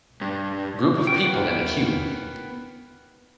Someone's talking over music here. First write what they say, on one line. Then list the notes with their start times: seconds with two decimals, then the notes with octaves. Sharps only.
Group of people in a queue.
0.21 G2
1.07 B3 A#4 G5